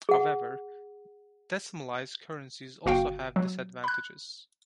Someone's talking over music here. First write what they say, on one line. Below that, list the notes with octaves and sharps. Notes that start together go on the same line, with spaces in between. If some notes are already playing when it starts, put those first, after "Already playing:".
However, decimalised currencies also have disadvantages.
G#4 F#5
G1 F#4 F5 G5
F#3
B5 F#6